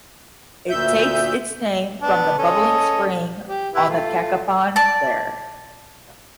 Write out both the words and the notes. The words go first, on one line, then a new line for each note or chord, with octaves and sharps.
It takes its name from the Bubbling Spring on the Cacapon there.
D2 A#2 E5 G6
B3 D4
C#4 A4 D#5
G4
E4 G4 B4
A3 F4
D5 A5